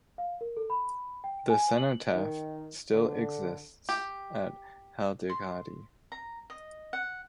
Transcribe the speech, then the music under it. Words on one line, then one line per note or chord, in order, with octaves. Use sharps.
The cenotaph still exists at Haldighati.
F5
A#4
A4
B5
G5
G#5
F#7
D#3
D3
G4
C6
A#5
D#5
F#5